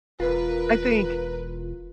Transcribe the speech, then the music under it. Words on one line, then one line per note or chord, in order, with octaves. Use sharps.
I think
E1 F4 A#4 B4